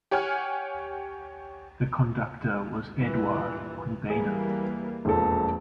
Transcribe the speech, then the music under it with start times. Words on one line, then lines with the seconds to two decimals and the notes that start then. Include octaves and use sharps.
The conductor was Eduard van Beinum.
0.11 G4 C#5 F#5 G#5 F6
2.96 G2 A#2 E3
4.10 E3 G3 A#3 G#4
5.05 E1 F2 A#2 F3 A4